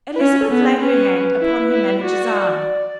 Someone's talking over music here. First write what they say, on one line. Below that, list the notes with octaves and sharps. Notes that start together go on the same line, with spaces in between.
Elizabeth laid her hand upon her manager's arm.
B4
C#4 C#5
A4
B3
G#4
C#4 B4
E4
E4
F#4 D5